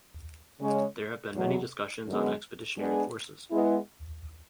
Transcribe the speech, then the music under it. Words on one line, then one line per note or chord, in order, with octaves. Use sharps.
There have been many discussions on expeditionary forces.
C#3 G#3 C#4
E2 B2 F#3
F#2 D3 G#3 B3
G#3 B3 D4 G#4
G#3 B3 E4